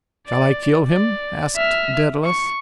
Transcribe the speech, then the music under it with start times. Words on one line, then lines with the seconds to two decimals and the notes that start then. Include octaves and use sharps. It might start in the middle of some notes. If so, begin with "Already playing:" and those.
"Shall I kill him?" asked Daedalus.
0.27 D5
0.88 D5
1.56 E5 F6
2.25 C#6